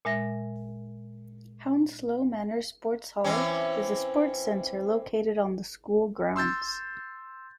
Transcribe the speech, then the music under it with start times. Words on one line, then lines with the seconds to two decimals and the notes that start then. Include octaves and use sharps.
Hounslow Manor Sports Hall is a sports center located on the school grounds.
0.05 A#2 G#3 E5 A#6
3.24 E3 C4 C#4
6.36 C6 E6 G6 A6